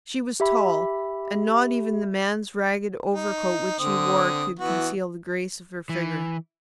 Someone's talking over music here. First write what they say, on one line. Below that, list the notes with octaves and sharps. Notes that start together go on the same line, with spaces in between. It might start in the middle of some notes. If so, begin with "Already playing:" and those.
She was tall, and not even the man's ragged overcoat which she wore could conceal the grace of her figure.
G4 E5 B5
D#4
D3 C4 D#6
E3 B3 F#4
E3